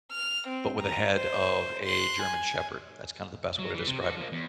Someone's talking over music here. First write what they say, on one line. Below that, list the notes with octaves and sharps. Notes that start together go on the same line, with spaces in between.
but with a head of a German Shepherd, that's kinda the best way to describe 'em,
F6
C4
A#5
C5
C6 F#6
G#5
F#3
E3
C3
F#4 A4
F3 A#3
E2